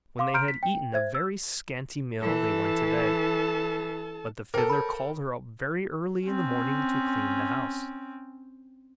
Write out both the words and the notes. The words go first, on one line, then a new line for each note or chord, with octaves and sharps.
When they had eaten a very scanty meal they went to bed; but the fiddler called her up very early in the morning to clean the house.
F5 C6 D6
A#5 C6 F6 G6 D7
B6
G5
C5 E5 G#6
E6
E3 A4 A5
A4 A#4 C5 G5 D6
C#5 B5
C4 C#4